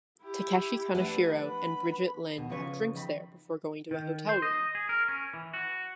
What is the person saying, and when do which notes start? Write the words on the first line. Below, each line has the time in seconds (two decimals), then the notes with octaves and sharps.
Takeshi Kaneshiro and Brigitte Lin have drinks there before going to a hotel room.
0.23 E4 G4
0.94 F3 A3 D4 B4 F#5
1.47 B5
2.36 D#2 B2
2.50 C#3 F3 C#4 B4 C#5
2.95 D#3 B5
3.91 D#3
4.29 C5
4.42 D#5
4.75 G#4
4.89 A#4
5.08 C#4
5.34 E3
5.54 F#4